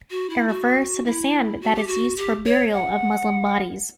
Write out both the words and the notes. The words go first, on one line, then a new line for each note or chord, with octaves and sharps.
It refers to the sand that is used for burial of Muslim bodies.
F#4
E4
F#4
E4
F#4
G4
F#4
G4
C#5
F#5